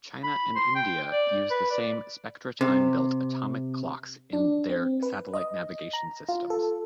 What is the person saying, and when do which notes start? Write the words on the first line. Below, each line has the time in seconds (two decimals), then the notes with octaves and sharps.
China and India use the same SpectraTime-built atomic clocks in their satellite navigation systems.
0.24 B5
0.56 C6
0.75 G5
1.12 D5
1.51 B4
1.71 D5
2.61 C3
4.33 D4
4.69 C4
5.03 B4
5.33 D#5
5.93 A#5
6.29 F4
6.50 A4